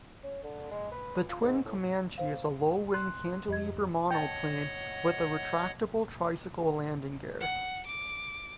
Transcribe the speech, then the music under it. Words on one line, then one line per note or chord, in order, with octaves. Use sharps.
The Twin Comanche is a low-wing cantilever monoplane with a retractable tricycle landing gear.
C#4
D3
G#3
B4
F4
G#2
A2
C5 F5
C6 F#6
F2 G4 D#5 G#6
C#5 D#5 F#5 G5 A5
F#5
D6